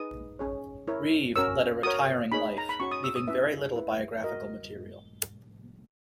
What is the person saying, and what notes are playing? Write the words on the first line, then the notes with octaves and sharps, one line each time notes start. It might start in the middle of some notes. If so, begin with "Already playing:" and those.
Reeve led a retiring life, leaving very little biographical material.
Already playing: D#4 G#4 B4 D#6
C#4 G#4 C#5
E4 A#4 C#5
C#4 F#4 A#4 C#5 E6
F#4 A#4 C#5 D#6
D#4 G#4 C#5 B5
A#5
B5
C#4 F#4 C#5 C#6
D#6
E6
D#6
C#4 E4 B4 E5
E4 B4
F#4 A#4 D#5